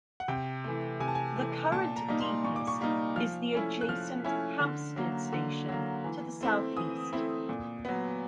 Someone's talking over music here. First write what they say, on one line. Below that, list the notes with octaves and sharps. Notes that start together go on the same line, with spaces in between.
The current deepest is the adjacent Hampstead station to the south-east.
F#5
C3 G5
E3 A3
C3 G#5
A5
G#5
E3 A3
A#2 A5
A#5
G3 A#3 D#4
C6
A#2 C#6
D6
C#6
G3 A#3 D#4
F3 F6
A3 C#4 E4
F#6
F3 F6
A3 C#4 E4
D3
F#3 A#3
D3
F#3 A#3
E3
A3 C4 E4
E3 D#6
A3 C4 E4
A#2
F#3 B3